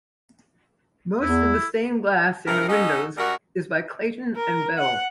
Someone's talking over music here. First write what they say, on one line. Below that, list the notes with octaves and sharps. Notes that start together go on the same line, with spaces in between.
Most of the stained glass in the windows is by Clayton and Bell.
E2 E4
G2 C3 A#4
C#4 D#4 F#4 A4 D#5
F#2 G3 F#4 A#4
A#4
F#5